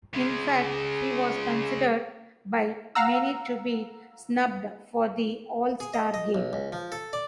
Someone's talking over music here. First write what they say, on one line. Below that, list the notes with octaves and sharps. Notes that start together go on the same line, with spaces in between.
In fact, he was considered by many to be snubbed for the All-Star game.
C#3 G#3 G#4
F5 F#5 A#5 E6
G#4
D#5
D#5
B1
C#2
F3
A4
D5